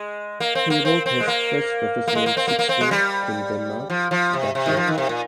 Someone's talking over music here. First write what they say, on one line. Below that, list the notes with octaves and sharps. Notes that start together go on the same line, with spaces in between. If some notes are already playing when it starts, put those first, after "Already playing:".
He rode his first professional six-day, in Denmark, that winter.
Already playing: G#3
A#3
C4
A#3
C4
C4
G#3
A#3
A#3
G#3
A#3
C4
A#3
A#3
C4
G#3
G3
F3
F3
C3
C3
D#3
F3
D#3
C3
A#2